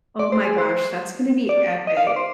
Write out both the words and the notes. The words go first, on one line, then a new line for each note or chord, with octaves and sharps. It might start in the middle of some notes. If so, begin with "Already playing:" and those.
Oh my gosh, that's gonna be epic.
D5
C5
G#4
C5
D5
D#5
F5
D5
C5